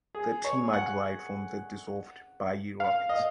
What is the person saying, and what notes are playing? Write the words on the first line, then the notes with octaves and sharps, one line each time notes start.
The team are derived from the dissolved Bayi Rockets.
G#4
C#5
F#5
F5
D#5